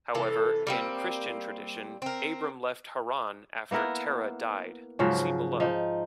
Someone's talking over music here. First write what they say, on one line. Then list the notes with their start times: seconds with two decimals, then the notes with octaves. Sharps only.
However, in Christian tradition Abram left Haran after Terah died, see below.
0.15 C3 E3 A4
0.67 G3 A#3 C4
2.02 C4 A#4
3.71 A#3 B3 E4 A#4
4.99 G#2 C#3 F3 F#3
5.60 F3 D#4